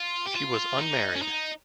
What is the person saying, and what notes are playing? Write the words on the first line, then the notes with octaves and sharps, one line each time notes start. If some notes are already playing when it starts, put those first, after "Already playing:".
She was unmarried.
Already playing: F4
G4
F4
D#4
C#4
D#4